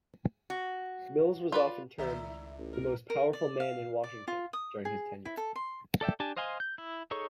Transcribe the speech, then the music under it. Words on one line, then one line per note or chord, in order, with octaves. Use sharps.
Mills was often termed "the most powerful man in Washington" during his tenure.
F#4
F4 B4 D5
C#2 D#3 A3 E4 D5 E5 A#5
A1
A#4
A#4
D5
F5
D5
F4
D#6
G#4
E4
A4
C6
A4 D5 E5 G5
D4 G4 G#5 A5
C5 D#5 F5 G#5 C6
G6
E4
D#4 G#4 A4 C#5 C#6